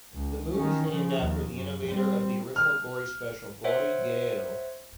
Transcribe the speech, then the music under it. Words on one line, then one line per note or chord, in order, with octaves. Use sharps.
The move is named after the innovator of the original Gory special, Gory Guerrero.
C#2
D#3 C#4
C#3 F3
D#2
F#2
G3 C4
F6
C5 C#5 E5 F#5